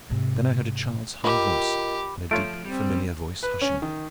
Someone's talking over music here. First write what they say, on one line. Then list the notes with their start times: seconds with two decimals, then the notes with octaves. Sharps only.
Then I heard a child's high voice, and a deep familiar voice hushing it.
0.10 G#2 C3
1.24 F4 G4 A#4 D#5 B5 D6
2.31 F3 A3 F4 C#5 D7
2.65 G3 C4
3.43 B4
3.62 C#4
3.82 D#3